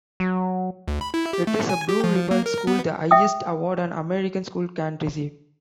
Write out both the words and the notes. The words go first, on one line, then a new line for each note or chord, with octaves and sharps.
It is a Blue Ribbon School, the highest award an American school can receive.
F#3
D2
B5
E4
G4
A3
G#5
G4
F3
A#3
A#4
B3
E5 G5 D#6